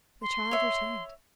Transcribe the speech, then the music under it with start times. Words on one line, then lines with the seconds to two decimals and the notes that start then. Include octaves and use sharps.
The child returned.
0.22 C6
0.51 C#5 E5